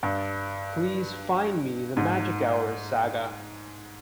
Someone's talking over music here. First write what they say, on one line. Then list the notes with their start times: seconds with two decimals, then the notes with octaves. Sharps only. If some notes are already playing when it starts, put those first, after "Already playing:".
Please find me the Magic Hour saga.
0.03 G2
1.97 G#2